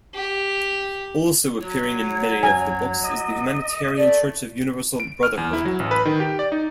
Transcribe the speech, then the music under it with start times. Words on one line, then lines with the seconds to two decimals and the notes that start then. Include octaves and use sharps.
Also appearing in many of the books is the humanitarian Church of Universal Brotherhood.
0.15 G4
1.60 F#3 C#5
2.43 F#2 G#5
3.03 D#5
3.96 A3 D5
5.00 D7
5.23 F6
5.37 E2
5.53 E4
5.65 F#3
5.80 A1
5.91 B4
6.05 D#3
6.20 G4
6.39 D5
6.52 D#4